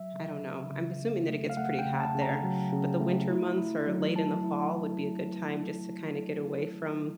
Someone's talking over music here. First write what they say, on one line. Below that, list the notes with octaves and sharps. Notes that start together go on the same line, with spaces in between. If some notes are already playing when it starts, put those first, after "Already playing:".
I don't know. I'm assuming that it gets pretty hot there, but the winter months or late in the fall would be a good time just to kinda get away from
Already playing: F#3 E5
C#3
C#3
C#3
C#3
A3
F5
A3 F#5
G5
C#3
A5
C#3
A#5
F#3
C#3
A3
E4
E4
F#3
F#3 A5
E4